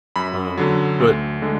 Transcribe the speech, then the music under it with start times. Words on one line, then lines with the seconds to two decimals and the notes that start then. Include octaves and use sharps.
um but
0.16 F#2 B5
0.58 D3 F#3
1.00 D2
1.42 D3 G#3